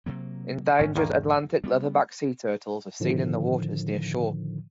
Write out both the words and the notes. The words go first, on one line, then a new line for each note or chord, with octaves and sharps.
Endangered Atlantic leatherback sea turtles are seen in the waters near shore.
C3 F#3 A#3
A1 G#2 E3 C#4
E2 D#3 A#3
G3 B3
A2 D3 D#3 F3